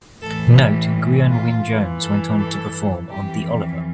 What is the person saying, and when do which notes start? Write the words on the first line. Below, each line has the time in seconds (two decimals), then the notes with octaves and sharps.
Note Gwion Wyn Jones went on to perform on the Oliver!
0.21 A2 E3 A4
0.58 G4
1.29 F4
1.65 G2 E3
2.02 A4
2.37 A4
3.08 F2 E3 G4